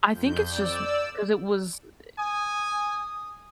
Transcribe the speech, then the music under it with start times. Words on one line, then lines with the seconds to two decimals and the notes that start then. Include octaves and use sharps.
I think it's just 'cause it was, eh
0.12 F2 G6
0.47 D5 E6
2.18 G#5 D#6